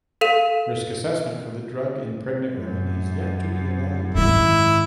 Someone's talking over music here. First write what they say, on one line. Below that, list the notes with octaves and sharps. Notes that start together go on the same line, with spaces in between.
Risk assessment for the drug in pregnant women has yet to be evaluated.
A4 F5 D#7 E7
F#2
G#2 D#3 E4